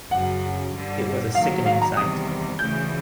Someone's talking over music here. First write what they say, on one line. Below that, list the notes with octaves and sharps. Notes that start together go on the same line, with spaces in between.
It was a sickening sight.
F#2 C#3 F#3 F#5
G2 D3 G3
D#3 F#3 A#3 F5
F5
A#5
E2 C3 D#3 G3 D#6
D2 C#3 E3 A3 G6